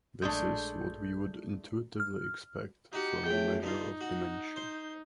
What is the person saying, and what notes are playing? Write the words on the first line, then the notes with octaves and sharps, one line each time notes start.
This is what we would intuitively expect from a measure of dimension.
A#1 G#3 A3 D4 G6
F6
D#4 F#4 G4 C#7
E2 A2 G5
G2 D#4 F4
F#4
C5